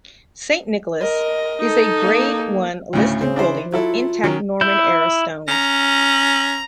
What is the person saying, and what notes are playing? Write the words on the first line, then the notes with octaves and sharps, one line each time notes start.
Saint Nicholas's is a Grade One listed building with intact Norman era stones.
A#4 D#5
D#4 A4
A#3
D2 A2 C#3
C#3 C4
D4 E4 C5
F#3 E4 F4 A4
D#3 F#3 C#4
E4 G6
C#4 A#5